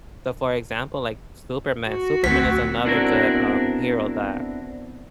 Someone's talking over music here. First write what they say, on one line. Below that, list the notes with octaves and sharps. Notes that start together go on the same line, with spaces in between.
So, for example, like, Superman, Superman is another good, um, hero that
F#4
D2 F#3 B3 C4 B6
B3 C4 D4 E4 F#4 A#4